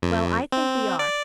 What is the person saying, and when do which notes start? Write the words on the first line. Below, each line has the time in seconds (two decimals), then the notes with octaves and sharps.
Well, I think we are.
0.02 F2
0.52 C4
0.99 D5